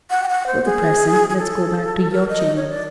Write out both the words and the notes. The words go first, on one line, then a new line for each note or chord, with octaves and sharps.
For the present let's go back to your chambers.
F#5
G5
F#5
C5
G#4
G#4
A4
A#4
D#5
C#5
D5